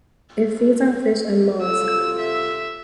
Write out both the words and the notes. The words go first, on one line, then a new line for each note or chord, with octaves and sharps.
It feeds on fish and molluscs.
C3 F4 A4 E6
E5